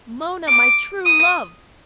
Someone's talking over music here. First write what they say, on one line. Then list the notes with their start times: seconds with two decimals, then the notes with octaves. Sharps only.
Mona, my true love.
0.48 D6
1.06 D#6